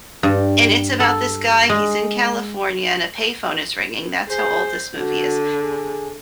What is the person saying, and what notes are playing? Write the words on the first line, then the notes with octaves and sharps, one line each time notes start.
and it's about this guy, he's in California, and a payphone is ringing, that's how old this movie is.
G2
A4
G#3
G#4 C5
D3 F#4
G#4